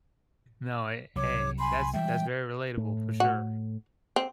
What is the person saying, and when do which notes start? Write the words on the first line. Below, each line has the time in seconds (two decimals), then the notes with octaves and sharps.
No, hey hey, that's that's very relatable for sure.
1.16 C2 F#3 C#5 D6
1.59 G#5 B5 C6
1.93 E3 G3 G#3 E5 G5
2.77 A2
3.20 F#4
4.16 C4